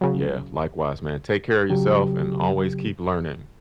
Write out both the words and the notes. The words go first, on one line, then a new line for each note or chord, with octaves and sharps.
Yeah, likewise, man. Take care of yourself and always keep learning.
C#3 F#3
C#3 F#3 G4